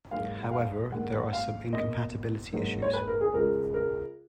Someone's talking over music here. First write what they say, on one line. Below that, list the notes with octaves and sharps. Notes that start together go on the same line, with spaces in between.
However, there are some incompatibility issues.
G#2 F#3 A#3 F5
F#5
F5
G#2 D#3 A#3 F#5
F#5
F5
B2 A#3 D#5
G#2 F#3 A#3
C#5
B4
A#4
G#4
C#2 C#3 G#3 A#4
A#4